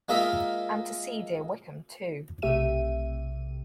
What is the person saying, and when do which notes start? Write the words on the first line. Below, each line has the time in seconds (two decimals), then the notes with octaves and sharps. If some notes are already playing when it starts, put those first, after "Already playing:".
And to see dear Wickham too!
0.09 G#3 A#3 F4 A#4 D#5 E5
2.42 B1 C3 A3 G4 E5 D#7